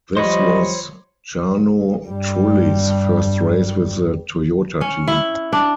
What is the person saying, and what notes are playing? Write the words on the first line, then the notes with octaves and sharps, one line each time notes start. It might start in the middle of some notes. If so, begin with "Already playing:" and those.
This was Jarno Trulli's first race with the Toyota team.
F3 G3 C5 C#5 D#5 B5
G2 G3
C#4
E4
D4